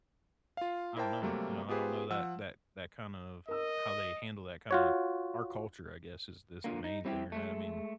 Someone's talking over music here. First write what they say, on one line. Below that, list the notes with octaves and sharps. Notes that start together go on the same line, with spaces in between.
I don't know, you know, I don't know that that that kind of how they handle that kind of our culture I guess is this the main thing, right? I mean,
F4 F5
E4 A#4 C5 G5 A5
C3 F#3 G3 A3 A#3
B3 F4 G4 G#4 B4 C5
F3 F#5 E6
A#4 D#5 E6
F4 F#4 C#5
A#2 D3 A#3
D#4
G3 C4 E4 F4 G4
G#3 A3